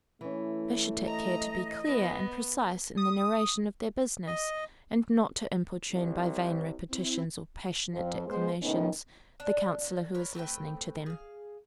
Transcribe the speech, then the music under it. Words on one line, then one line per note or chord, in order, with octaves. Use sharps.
They should take care to be clear and precise in the narration of their business, and not to importune by vain repetitions or passionate declamations, the counsellor who is listening to them.
E3 A3 C#4
D#5 A#5
B3
D#6
D#5
C2
C4 E4
F2 F3
G#3 B3 C5
A2 C3 D#3 B3 C#4 D#4
D4
D3
A#4 B4 C#5
A3 C4 B4 G5
G#4 F5